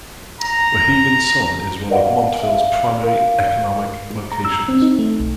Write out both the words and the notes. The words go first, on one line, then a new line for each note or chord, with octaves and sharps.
Mohegan Sun is one of Montville's primary economic locations.
A#5
A#4 B4 D5 D#5 F5 F#5
E5 F5
A#4 F5
A#5
E6
C4
D#4
A3
B1